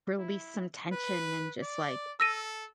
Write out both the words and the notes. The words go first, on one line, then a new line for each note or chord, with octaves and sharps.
release some tension and just, like,
E4
B4
D5
A4 E6 A#6 D#7